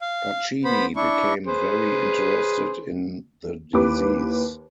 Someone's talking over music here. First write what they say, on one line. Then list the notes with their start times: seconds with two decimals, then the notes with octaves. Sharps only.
Pacini became very interested in the disease.
0.01 F5
0.64 B3 C5 B5
0.96 D4 E4 C#6
1.47 G#4 B4 C5
3.73 D#2 E3 G4 B4 D6